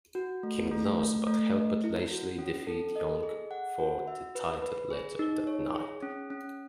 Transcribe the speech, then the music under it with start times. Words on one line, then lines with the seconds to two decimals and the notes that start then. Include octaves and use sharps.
King lost, but helped Lashley defeat Young for the title later that night.
0.15 F#4
0.43 A3
0.71 A3
1.00 A3
1.27 A3
1.56 D#5
1.84 E4
2.11 F#4
2.38 C#4
2.67 A4
2.96 D#5
3.23 G#4
3.51 F#5
3.79 F#4
4.07 E5
4.35 B4
4.62 B4
4.90 G#4
5.19 D#4
5.47 C#5
5.75 G#4
6.02 C#4
6.30 C#4